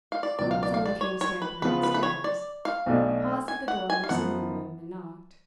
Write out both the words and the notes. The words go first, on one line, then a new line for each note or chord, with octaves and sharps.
Someone came stamping up the stairs--paused at the door of her sitting-room, and knocked.
F5
D5
C#2 B2 F#3 D5
F5
D5
F5
D5
C#5
C#5
B4
C#3 F3 B3 F4 B4
B4
B4
C#5
D5
F5
B1 B2 A3 D4
G#5
F#5
G#5
F5
F#2 F3 B3 F#5